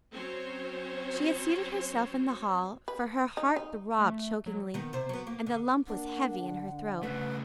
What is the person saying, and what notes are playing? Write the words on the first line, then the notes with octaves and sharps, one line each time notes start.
She had seated herself in the hall, for her heart throbbed chokingly, and the lump was heavy in her throat.
F#3 C4 C#4 C5 C#5
B4
D#4
D#4
A3
F#3
D#3 B3
C3 C5
F#3 B3
A#3
D3
A#3 D4 F#5
D3
C#3 A3 B4